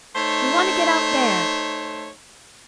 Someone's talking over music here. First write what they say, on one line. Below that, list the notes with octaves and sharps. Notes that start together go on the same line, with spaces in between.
We want to get out there.
A3 D#4 C5 C#5